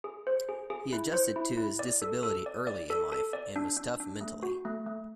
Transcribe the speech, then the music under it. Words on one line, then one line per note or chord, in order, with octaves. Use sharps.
He adjusted to his disability early in life, and was tough mentally.
G#4
C5
G#4
G#4
E4
C5
E4
E4
D5
A4
A4
D5
D5
A4
A4
D5
D4
D4
D4
A3
F#4
A3
A3